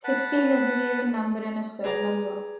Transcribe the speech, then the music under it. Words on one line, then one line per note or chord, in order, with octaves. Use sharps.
Sixteen is an even number and a square number.
B4 F#5 A5
G#4 B4 D5 A#5